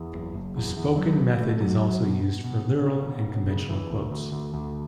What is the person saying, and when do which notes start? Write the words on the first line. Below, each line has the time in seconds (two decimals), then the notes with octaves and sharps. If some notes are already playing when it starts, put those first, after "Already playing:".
This spoken method is also used for literal and conventional quotes.
Already playing: E2
0.13 F#1
0.34 F#1
0.56 E2
0.77 E2
0.97 F#3
1.18 B2
1.40 A3
1.60 F#3
1.81 F#3
2.02 B2
2.23 B2
2.44 B2
2.64 B2
2.86 C#4
3.06 B2
3.27 B2
3.49 C#3
3.69 E3
3.90 D2
4.11 D2
4.32 D2
4.54 D2